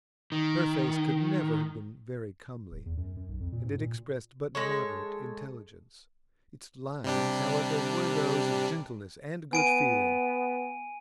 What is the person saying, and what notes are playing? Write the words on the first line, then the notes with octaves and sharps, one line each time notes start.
Her face could never have been very comely, and it expressed but moderate intelligence; its lines, however, were those of gentleness and good feeling.
D#3
D1
E2
F#2
F#2
B1
F2
A#2
G#2
A#2
G#3 A4 C#5
C3 G3 D4
B3 G#5 D7 D#7